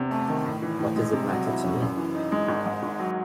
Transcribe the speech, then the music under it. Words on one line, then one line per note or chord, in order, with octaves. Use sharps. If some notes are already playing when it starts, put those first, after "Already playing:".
What does it matter to me?
Already playing: E2 C3
A3
D#3
A2
E3
A2
G#3
C3
F#3
E4
C#4
F#2
E3
D#4
G#3
G#1
G#2
G#1
F#3